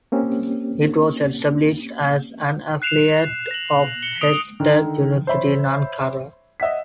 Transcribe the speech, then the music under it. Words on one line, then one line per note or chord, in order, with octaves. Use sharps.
It was established as an affiliate of Hacettepe University in Ankara.
A#3 C4 C#4 G4
F#6 C7 E7 F7
A#6 F#7
C#7 G7
D#6 D7 F7
D3 D#3
C5 C#5 E5 B5
D#5 E5 F#5 B6